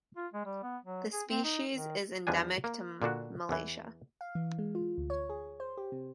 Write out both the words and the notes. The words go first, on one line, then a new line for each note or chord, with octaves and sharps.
The species is endemic to Malaysia.
F4
G#3
G3
B3
F#3
G#4
C4
D#4
D#3
E2 F3 G3 D4 G#5
A#3
A#2 D3 D4 F#4
E2 E3
F5
E3
G#3
F4
D2
C#5
G#4
C5
G4
C3